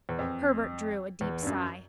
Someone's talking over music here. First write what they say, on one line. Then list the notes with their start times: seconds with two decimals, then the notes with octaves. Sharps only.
Herbert drew a deep sigh.
0.09 E2
0.19 F2
1.21 E2
1.43 G2
1.47 F#2